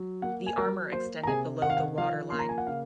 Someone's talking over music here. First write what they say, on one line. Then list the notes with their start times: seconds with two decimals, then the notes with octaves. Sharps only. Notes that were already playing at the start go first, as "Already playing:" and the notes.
The armour extended below the waterline.
Already playing: F#3
0.22 A#3 F#5
0.46 G#5
0.58 F#3 A#4 A#5
0.92 A#3 C5 C6
1.23 A#5
1.27 C3 G#4 G#5
1.62 D#3 F#5
1.70 F5
1.77 F#5
1.98 F3 F5
2.30 A#3 C6
2.39 A#5
2.49 G#5
2.58 F#5
2.67 C#3 F5